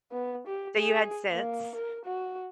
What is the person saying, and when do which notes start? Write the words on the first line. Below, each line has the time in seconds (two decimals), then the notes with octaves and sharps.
So you had sense.
0.12 B3
0.47 G4
0.78 G#4
1.31 A#3
1.75 A#4
2.05 F#4